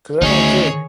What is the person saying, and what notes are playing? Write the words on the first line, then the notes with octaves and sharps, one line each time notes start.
'Cause I don't care."
D2 D3 D#3 C#4 D#4 G#4 C#5